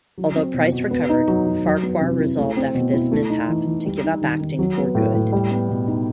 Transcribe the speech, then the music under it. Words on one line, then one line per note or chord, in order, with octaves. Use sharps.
Although Price recovered, Farquhar resolved after this mishap to give up acting for good.
F#3
C4
B2
B2
B3
D#4
F#3
F#3
F#3
B3
C3
E4
A3
C4
B2
E4
A3
D#4
E3
E3
G3
D#4
D#3
D#3
F#3
B3
A2
A2
G3
B3
B2
D#4